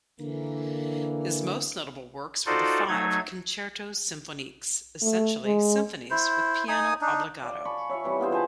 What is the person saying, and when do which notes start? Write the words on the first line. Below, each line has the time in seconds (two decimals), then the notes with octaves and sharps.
His most notable works were the five "concertos symphoniques", essentially symphonies with piano obbligato.
0.20 D3 E3 A#3
2.46 D#4 F4 F#4 A4 C5 D5
2.88 F#3 A3 D#4 G#6
5.02 A3
5.45 G#3
6.11 E4 C5
6.68 D#4 G#5 D#6
7.01 D4 D#4
7.42 D5 F5
7.65 G#5 A5 B5 C#6
7.89 C#5 E5 F5 C#6
8.04 E3 G3 C4
8.19 B3 F4 G#4 C5
8.32 C5 G#5 A5 B5